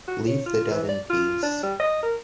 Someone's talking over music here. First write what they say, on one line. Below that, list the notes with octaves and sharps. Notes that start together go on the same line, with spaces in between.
Leave the dead in peace!
F#4
C#5
F4
E3
D5
F4
D4
G3
D#5
A#4